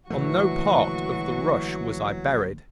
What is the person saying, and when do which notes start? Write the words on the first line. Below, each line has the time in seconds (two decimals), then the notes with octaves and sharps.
On no part of the rush was I buried.
0.10 A#1 D3 E3 F#3 A3 F#4 C#6